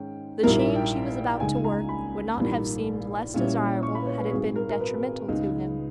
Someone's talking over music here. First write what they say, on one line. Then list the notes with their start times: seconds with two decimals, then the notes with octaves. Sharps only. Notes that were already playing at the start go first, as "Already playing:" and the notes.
The change he was about to work would not have seemed less desirable had it been detrimental to him.
Already playing: G#2 D#3 G#3 C#4 G5
0.43 A#1 G#2 G3 A#3 E4 A#4
0.60 E5
0.75 G5
1.40 C#2 C#3 G#3 D#4 G#5
1.64 A#5
1.89 B5
2.37 A#1 G#2 E3 G3 A#3
3.34 A#2 G3 C#4 E4
3.83 C#6
3.95 B5
4.02 B4
4.07 C#5
4.20 B4
4.31 G#1 G#2 D#3 G3 G#4
4.56 A#4
4.69 A#4
4.80 B4
5.28 C#2 C#3 G#3 D#4